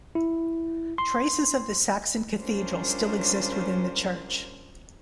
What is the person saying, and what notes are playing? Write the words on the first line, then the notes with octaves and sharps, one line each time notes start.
Traces of the Saxon cathedral still exist within the church.
E4
C6
G3 C#4 D4 F4 A#4 C5